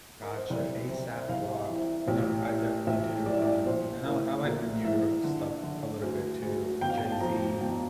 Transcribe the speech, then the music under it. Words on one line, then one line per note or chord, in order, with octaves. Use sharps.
Gotcha, Aesop Rock. You know, d I definitely do, um, and I l like the New York stuff a little bit too, Jay-Z,
A#4
C5
C2 D5
C3
C2 F5
E3
A1
A2
A1 E5
E3 D5
E5
D5
A#1 C5
A2 A#4
A#1 A#4
E3 E5
D3
D3
D2
D2
G1 G5
F5
G5
A5
F2 A#5
G1 G5